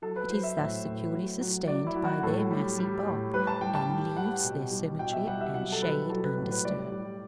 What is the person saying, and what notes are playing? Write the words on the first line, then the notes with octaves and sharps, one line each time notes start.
It is thus securely sustained by their massy bulk, and leaves their symmetry and shade undisturbed.
F#3 A4
B4
F#3 C5
E5
A2 E5
A2
F#3
F#3
F#3 D5
E4
F#3
F#4
A2 A4
G3
G3
A2
G3 B4
A5
G3 G5
A5
G3
G3 F#5
B2
G3
B2 G5
E5
G3 F#5
E5
F#3 F#5
A4
F#3 B4
F#3 A4
B4
A2
B4
G3 D5
G3